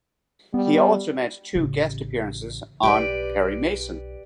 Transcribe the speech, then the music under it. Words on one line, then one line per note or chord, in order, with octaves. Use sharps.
He also made two guest appearances on "Perry Mason".
G3 B3
A1 C#3
B1 G4 B4 D5